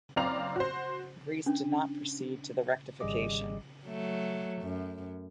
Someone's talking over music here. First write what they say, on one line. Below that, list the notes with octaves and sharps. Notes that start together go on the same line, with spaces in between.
Greece did not proceed to the rectification.
F#1 C4 D5 F5 A#5 F7
F#4 C5
C#4 D4
G#1 C#3 G3 G#4 D#5 D6
F#3 A3
F#2